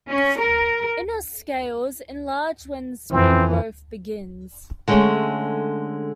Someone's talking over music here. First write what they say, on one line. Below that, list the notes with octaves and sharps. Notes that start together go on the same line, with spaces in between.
Inner scales enlarge when spring growth begins.
C#4
A#4
F2 E3 C4
D3 G#3 A3 C#4 C#5